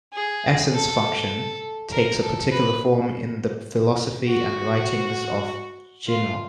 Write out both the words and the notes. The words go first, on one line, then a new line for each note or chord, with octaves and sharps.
Essence-Function takes a particular form in the philosophy and writings of Jinul.
G#4
A4
A#4
A4
B4
F#4
F4